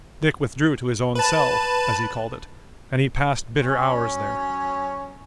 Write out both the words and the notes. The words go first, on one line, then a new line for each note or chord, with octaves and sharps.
Dick withdrew to his own cell, as he called it, and he passed bitter hours there.
B4 A5
F#3 C#4